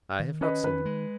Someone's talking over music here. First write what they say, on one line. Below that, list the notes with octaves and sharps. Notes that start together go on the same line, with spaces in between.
"I have not seen him."
D#3
C#4 B4 D#5
D#3 B4
G#3